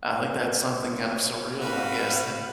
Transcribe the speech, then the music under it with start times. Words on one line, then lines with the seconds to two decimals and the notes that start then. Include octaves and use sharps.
I think that's something kind of surreal, I guess, that
0.92 C#5
1.60 C4 F#4 B4 F5